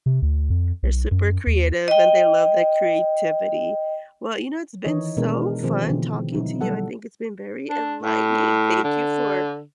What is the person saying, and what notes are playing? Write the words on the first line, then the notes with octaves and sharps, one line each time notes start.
they're super creative and they love that creativity. Well, you know, it's been so fun talking to you, I think it's been very enlightening. Thank you for
C3
D2
F2
B1
F#2
D#2
D#5 G5
D#3 E3 D#4 C#5 D#5
B2 G#3 B3 D4 A#4
B2 D#3 F3 C4 G#4
B2 D3 E3
B2 F#3 D#4 E4
F#3 G3 A4 F#5
D4
A2
D3